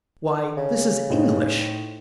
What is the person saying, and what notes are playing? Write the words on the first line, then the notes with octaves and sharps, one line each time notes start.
"Why, this is English!"
C#3
A2 D#4 C5